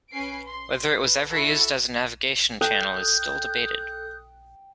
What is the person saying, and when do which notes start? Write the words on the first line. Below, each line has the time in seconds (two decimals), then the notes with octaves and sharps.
Whether it was ever used as a navigation channel is still debated.
0.12 C#4 B4 G#5 C7 D7
0.45 C6
0.91 B4
1.29 E4 F#4 A4 E5 F#5
2.61 A4 G5 D#6 F#6 G6